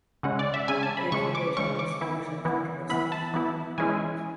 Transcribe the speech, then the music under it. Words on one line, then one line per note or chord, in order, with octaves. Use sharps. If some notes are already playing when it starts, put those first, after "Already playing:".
The paper created an explosion of controversy.
C#3 G#3 C#4 F#5
D5
E5
C#3 G#3 C#4 G#5
A5
B5
C#3 G#3 C#4 C#6
D6
C#3 G#3 C#4 C#6
D6
E3 B3 E4
E3 B3 E4
E3 B3 E4 B5
A5
E3 B3 E4
E3 G#3 C#4 E4 G#5